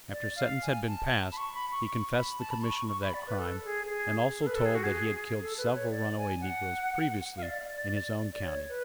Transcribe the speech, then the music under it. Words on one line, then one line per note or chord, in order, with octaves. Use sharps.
After sentence had been passed, he confessed the commission of that crime, and also told that he had killed several runaway negroes previously in his own county.
D5
F5
G#5
A5
B5
C#6
B5
C#6
C#6
B5
A5
B5
C#6
C#6
C#6
B5
D5
B4
A4
G#4
G#4
A4
B4
A4
G#4
F#4
G#4
A4
B4
C#5
D5
G#5
F#5
F5
D5
D5
C#5
B4